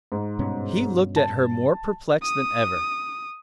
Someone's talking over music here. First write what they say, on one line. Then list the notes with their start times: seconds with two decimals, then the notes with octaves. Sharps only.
He looked at her more perplexed than ever.
0.12 G#2
0.39 G2 B2 C#4
1.16 A5
2.22 D#6